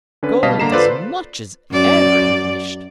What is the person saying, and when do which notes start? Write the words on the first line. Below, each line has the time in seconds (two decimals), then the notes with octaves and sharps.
Gold as much as ever he wished.
0.23 D3 C#4 D4 B4
0.43 B2 G3 D#5 F5 A5 B6
0.60 D3 A#3 A#5 C7 E7
0.72 F4 A4 B4 C5 D5
1.71 F#2 D5